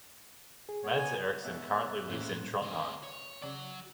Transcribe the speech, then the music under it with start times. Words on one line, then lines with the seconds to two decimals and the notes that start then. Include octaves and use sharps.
Mads Eriksen currently lives in Trondheim.
0.69 G#4
0.83 B3 C#5
0.97 G#5
1.44 G#2 B2 C#5 E5 F#6
2.10 A2 A#3 C#4 C5
2.62 D3 C4 G#4
2.80 B4
3.03 C#5
3.42 C#3 F#3 D5